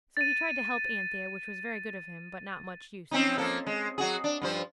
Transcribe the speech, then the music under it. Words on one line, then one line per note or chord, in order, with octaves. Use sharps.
So he tried to help Anthea, which was very good of him, but not much use to her.
A6 D#7
C4 C#4 D#4
F3 A#3 A4
G#3
F#3 F#4 G#4
D4
G2 F3 C5